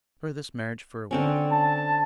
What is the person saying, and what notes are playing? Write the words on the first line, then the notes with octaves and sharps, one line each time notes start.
Defer this marriage for a week.
D3 C4 C#4
A5